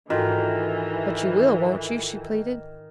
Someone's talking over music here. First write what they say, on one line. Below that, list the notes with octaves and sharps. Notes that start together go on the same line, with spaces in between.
"But you will, won't you?" she pleaded.
G#2 D#3 E3 F4 F#4 A4